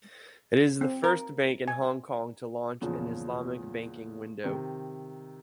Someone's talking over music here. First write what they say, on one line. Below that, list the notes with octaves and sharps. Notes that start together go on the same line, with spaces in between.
It is the first bank in Hong Kong to launch an Islamic banking window.
C4
A#4
G#5
E2 A#2 C#3 F3
C3 D#3